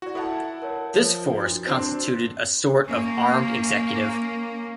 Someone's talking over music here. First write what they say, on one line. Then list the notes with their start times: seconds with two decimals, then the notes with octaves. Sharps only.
This force constituted a sort of armed executive.
0.02 E4 F#4 D5
0.15 E4 A4 F#5 A5 B5
0.62 A#4 C#5
0.94 F3
1.33 D4 E4 F#4
1.66 C4 D4 C5 C6
2.85 A#3 C#4